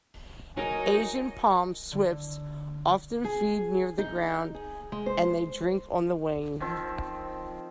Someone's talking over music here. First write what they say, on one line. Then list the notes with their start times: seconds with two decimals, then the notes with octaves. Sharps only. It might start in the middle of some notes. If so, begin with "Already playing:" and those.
Asian palm swifts often feed near the ground, and they drink on the wing.
0.57 F#3 D#4 A#4 G#5
1.92 D3
3.24 G#4
3.98 D#4
4.55 G#4
4.92 G#3
5.06 C5
6.60 D#3 F3 C4